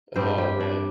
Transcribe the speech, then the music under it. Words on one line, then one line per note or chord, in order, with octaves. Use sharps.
Oh man.
G2 G3 C4 C5
G4
D4